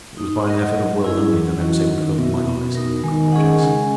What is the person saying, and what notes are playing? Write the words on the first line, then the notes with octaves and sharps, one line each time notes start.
It was by an effort of will only that I was able to open my eyes and look at objects.
D#4
A#4 D#5 F#5
F#3
C#4 E4 G#4
E3 F#3
E3 C#4 F#4 A#4 D#5
D#3 C#4
B2 E4 A#4 E5
B2 B3
D#4 A#4
D#3 G#3
C#4 G#4 D#5 F#5
C#3 G#3